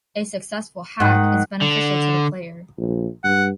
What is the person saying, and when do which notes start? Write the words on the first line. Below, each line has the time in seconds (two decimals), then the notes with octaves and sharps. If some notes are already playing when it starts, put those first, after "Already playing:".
A successful hack is beneficial to the player.
1.00 G#2 D#3 F#5
1.62 D3
2.77 A#1
3.24 G2 F#5